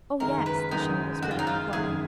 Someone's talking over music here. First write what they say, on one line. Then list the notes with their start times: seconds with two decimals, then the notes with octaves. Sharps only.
"Oh, yes!" the shell whispered in reply.
0.20 F#1 F#2 D#3 G#3 A#4
0.46 B4
0.71 F#1 F#2 D#3 G#3 D#4
1.22 F#1 F#2 D#3 G#3 F#4
1.31 F4
1.39 D#4
1.47 F4
1.73 F#1 F#2 D#3 G#3 G#4